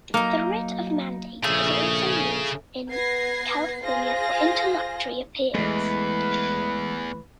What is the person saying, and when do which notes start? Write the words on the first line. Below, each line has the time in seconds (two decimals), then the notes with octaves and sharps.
The writ of mandate is also used in California for interlocutory appeals.
0.14 F#3 A#3 D#4 A#5
1.44 A#1 C#3 A3 G#4
2.91 B3 B4 G#6 A#6 C7
3.83 F4 G#4 C5 A#6
5.55 E2 E3 G#3 A3 B4